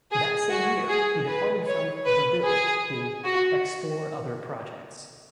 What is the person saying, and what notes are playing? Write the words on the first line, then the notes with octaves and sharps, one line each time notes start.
That same year, he departed from "The Bill" to "explore other projects".
G#4
F#4
G#4
B4
C#5
B4
G#4
F#4